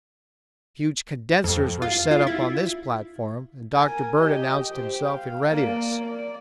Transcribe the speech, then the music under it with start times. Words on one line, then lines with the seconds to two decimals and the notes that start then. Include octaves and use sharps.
Huge condensers were set up on this platform, and Dr. Bird announced himself in readiness.
1.44 F2
1.82 F4
2.11 F4
2.27 E4
3.74 A#4 G#5
4.15 G4 D#5
4.71 G4 C5
5.08 F5
5.51 A#3 D5
6.00 D5